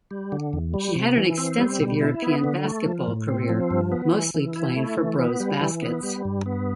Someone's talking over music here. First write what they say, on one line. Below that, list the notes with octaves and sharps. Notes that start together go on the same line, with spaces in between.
He had an extensive European basketball career, mostly playing for Brose Baskets.
G3
D3
E2
G3
C3
E3
C4
G3
B2
E4
B3
D3
A3
F3
A2
C4
F3
G2
B3
E3
E3
E4
A3
E3
B3
G3
E3
B3
G3
G2
B3